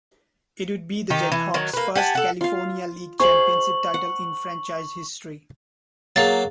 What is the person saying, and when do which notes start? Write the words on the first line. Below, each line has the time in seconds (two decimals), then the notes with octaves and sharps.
It would be the JetHawks' first California League Championship title in franchise history.
1.10 D#3 D#4 G4
1.32 E3
1.54 D#3 F#3
1.73 A#3 B4
1.95 G4 F#5 G#5 A5
2.15 A4 F#5
2.41 F4 F5
3.20 G#4 C5 F5 C#6 F#7
3.94 F#5
6.16 F#3 A#3 G#4 F5 A6